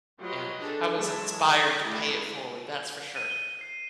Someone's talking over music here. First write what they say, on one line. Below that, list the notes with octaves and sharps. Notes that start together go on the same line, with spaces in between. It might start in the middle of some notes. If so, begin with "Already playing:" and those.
Yeah, I was inspired to pay it forward, that's for sure.
F#3 F4 G4 B4 D#5
D4 G#4 A4
E3 F#3 G#3 E5 A5
D5
G#3 A3 D4 E4 G4
D#7
G7
C7